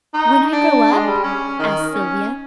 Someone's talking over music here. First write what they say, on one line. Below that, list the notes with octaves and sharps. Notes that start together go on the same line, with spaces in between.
"When I grow up?" asked Sylvia.
D#4
D4
G#3
G3
C#4
D#3
C#4